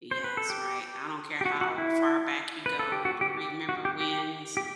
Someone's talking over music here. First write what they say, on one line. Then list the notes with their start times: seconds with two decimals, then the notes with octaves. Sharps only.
Yes. Right. I don't care how far back you go to remember wins,
0.11 C5
0.24 B4
0.37 A4
0.50 G4
1.41 G4
1.45 F#4
1.61 F#4
1.78 E4
2.66 B4
2.79 A4
2.92 G4
3.05 F#4
3.21 G4
3.37 G4
3.69 F#4
3.85 G4
4.01 G4
4.57 G4